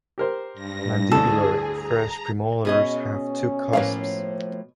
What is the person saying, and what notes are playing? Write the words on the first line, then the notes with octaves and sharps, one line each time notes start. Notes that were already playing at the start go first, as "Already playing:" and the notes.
Mandibular first premolars have two cusps.
G4 A#4 C5
G2 A#6
D2 A2 G#4 A4
A#5
B2 C#4 G#4 D#5
A2 F3 A#3 B4 F5